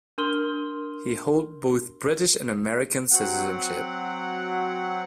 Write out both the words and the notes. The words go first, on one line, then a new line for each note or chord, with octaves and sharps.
He holds both British and American citizenship.
D4 A#4 C6 F6 G7
F#3 C4 F#5